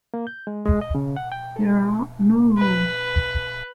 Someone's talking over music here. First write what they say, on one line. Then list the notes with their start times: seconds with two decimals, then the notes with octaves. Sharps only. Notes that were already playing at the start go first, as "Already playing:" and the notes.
There are no rules.
0.14 A#3
0.27 G6
0.47 G#3
0.66 G#3
0.81 D#5
0.95 C#3
1.16 F#5
1.32 G5
1.56 A4
2.58 B4